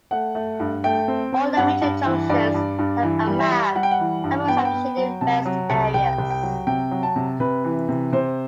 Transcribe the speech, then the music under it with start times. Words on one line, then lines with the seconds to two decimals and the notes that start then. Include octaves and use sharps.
All the major junctions have a map and most have shaded rest areas.
0.11 A3 F#5
0.35 A3
0.60 G2
0.84 A3 G5
1.08 C4
1.32 C4
1.57 G2 F#5
1.81 G2
2.05 E3
2.30 G2 D5
2.54 G2
2.79 G2
3.03 E3
3.27 G3
3.39 E5
3.51 G3
3.75 G3 F#5
3.83 G5
3.91 F#5
4.00 E3
4.24 G2
4.48 B3 G5
4.57 F#5
4.65 G5
4.73 B3
4.97 F#3
5.21 C3 A5
5.46 F#3
5.70 C2
5.94 C2 G5
6.18 C2
6.30 G5
6.43 F#3
6.67 C3 G5
6.91 F#3
7.03 A5
7.16 C3
7.40 C3 B4
7.64 E3
7.89 C3
8.12 C3 C5